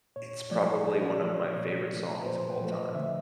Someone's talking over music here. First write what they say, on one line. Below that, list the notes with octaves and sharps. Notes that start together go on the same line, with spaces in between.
It's probably one of my favorite songs of all time.
A#2 C#5
F3 A3 D5
A#2 D#5
D5
F3 A3
C#5
A#2
F3 A3
B4
A#2 C5
B4
F3 A3
D#5
D3 E5